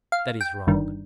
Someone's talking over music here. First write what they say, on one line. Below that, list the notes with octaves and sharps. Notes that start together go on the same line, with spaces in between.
That is wrong.
F5
G5
G1 G2 D#3